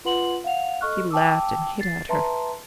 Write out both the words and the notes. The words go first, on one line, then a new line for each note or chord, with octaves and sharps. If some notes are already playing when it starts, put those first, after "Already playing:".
He laughed and hit at her.
F4 B4 F#5 C6 F#7
F5 F#5 F7
A4 D#5 C#6 F6 F#6
G5 A5 D6 E6
A6 C7
B4 E5 A5 A#5 C6